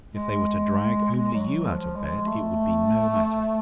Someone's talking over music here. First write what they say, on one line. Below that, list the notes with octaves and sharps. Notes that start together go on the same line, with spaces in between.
If they were to drag only you out of bed, it would be no matter.
G#3
F#3
F3
G#3
A3